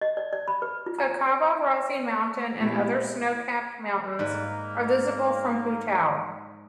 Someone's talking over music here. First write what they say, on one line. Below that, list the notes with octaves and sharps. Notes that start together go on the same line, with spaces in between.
Hkakabo Razi Mountain and other snow-capped mountains are visible from Putao.
D#5
D5
D5
B5
B4
F4
A#5
A#2 G#3 B3 E4 G4
G#2 A#3 B4 D5